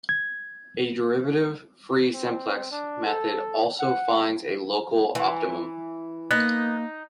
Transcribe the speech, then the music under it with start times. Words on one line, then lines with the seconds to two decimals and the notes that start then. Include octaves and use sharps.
The derivative-free simplex method also finds a local optimum.
0.09 G#6
2.13 C4
2.71 D4
3.05 A4
3.80 F#5
5.15 E3
6.31 A#3 B3 D#4